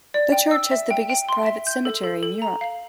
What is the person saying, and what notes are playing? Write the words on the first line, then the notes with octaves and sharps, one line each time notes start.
The church has the biggest private cemetery in Europe.
D5
G5
E6
E5
G5
G5
C6
E5
G6
A4
A4
A4
A#5
F5